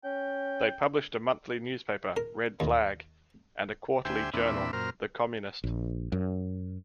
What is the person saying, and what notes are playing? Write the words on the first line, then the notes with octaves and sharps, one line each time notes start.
They published a monthly newspaper, "Red Flag", and a quarterly journal, "The Communist".
C#4 G5
A#4
D#2
D2 G4 C5 E5 G5 G#5
E2 A#2 C4 D4 E5 B5
F#2 A#2 A#4 C5 F6
A#1
F#2